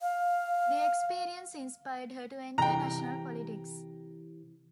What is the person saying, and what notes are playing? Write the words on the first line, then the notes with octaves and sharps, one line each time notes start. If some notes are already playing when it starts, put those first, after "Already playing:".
The experience inspired her to enter national politics.
F5
C3 E3 G5 A#5